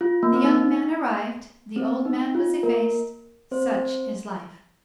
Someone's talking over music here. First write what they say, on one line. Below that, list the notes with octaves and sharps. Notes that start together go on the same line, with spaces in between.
The young man arrived, the old man was effaced; such is life.
F4
A#3
C4
D#4
C4
D#4
F4
A#3 A#4
C4 C5